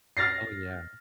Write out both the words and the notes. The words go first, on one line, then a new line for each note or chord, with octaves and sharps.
oh, yeah.
F6 A6 A#6 C7